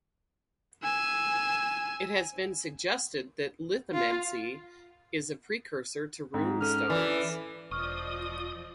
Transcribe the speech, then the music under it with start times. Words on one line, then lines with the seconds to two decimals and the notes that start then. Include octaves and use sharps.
It has been suggested that Lithomancy is a precursor to rune stones.
0.83 G#5 E6
3.94 F4
6.34 G#2 C4
6.61 C#4 A4 F6
6.90 E3 D5
7.71 E1 F3 D5 D#5 C#6 D#6 F6